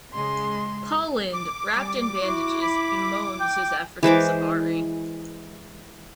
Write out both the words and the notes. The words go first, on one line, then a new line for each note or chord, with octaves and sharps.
Paul Lynde, wrapped in bandages, bemoans his African safari.
C#3 G#3 C6
D6
G3
E4 F#4
B5
G5
E3 G#3 C5 D6